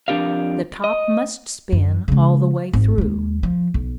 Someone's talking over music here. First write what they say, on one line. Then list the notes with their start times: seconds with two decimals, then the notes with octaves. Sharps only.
The top must spin all the way through.
0.08 F2 G#3 D4 G4 A#4 F5
0.84 D#5
1.72 F#2
2.08 C#3 G#3
2.73 G#1
2.98 D#2 G#3
3.43 F3
3.74 B1